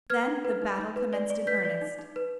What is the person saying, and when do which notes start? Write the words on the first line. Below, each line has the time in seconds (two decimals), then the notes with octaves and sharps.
Then the battle commenced in earnest.
0.10 B4 F6 G#6
0.27 D#4
0.45 B4
0.62 D#4
0.79 D#4
0.96 B4
1.13 D5
1.30 D5
1.47 B4 G6 B6
1.65 D5
1.82 D#4
1.98 D#4
2.16 B4